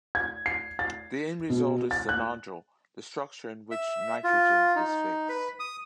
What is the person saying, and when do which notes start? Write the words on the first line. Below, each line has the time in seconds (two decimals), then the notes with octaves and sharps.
The end result is the nodule, the structure in which nitrogen is fixed.
0.15 G#6
0.46 C7
0.79 A6
1.50 B2
1.91 A6
2.09 F#6
3.71 E5
4.24 F4
4.76 D#4
5.29 B4
5.60 D#6